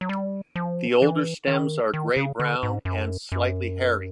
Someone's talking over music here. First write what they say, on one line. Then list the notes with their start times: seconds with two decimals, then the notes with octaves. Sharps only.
The older stems are grey brown and slightly hairy.
0.01 F#3
0.09 G3
0.56 F3
1.02 E3
1.48 D#3
1.94 D#3
2.16 C#3
2.40 D3
2.63 G#2
2.85 F#2
3.32 F#2